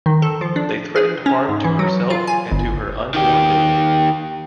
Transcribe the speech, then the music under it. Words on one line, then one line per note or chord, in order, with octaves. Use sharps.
They threatened harm to herself and to her unborn baby.
D#3
A4
F3
D4
G#4
C#4
G#2
E3
F#3
F4
G#5
G1
D#3 G4